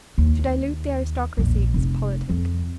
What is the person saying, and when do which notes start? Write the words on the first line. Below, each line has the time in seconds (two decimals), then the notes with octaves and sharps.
To dilute the aristocracy is politic.
0.18 D#2
1.37 A#1 E2
1.74 F1
2.30 F2